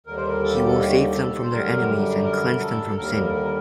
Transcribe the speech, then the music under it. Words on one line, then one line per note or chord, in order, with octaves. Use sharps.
He will save them from their enemies and cleanse them from sin.
D#2 D3 G3 A#4
C5
A#4
A4
G4
A4
G4
F#4
G4
G4
A4
C5
F#2 D3 G3 A#4
A#4
A#4
A4
D#2 D3 G3 A#4
A#4
A#4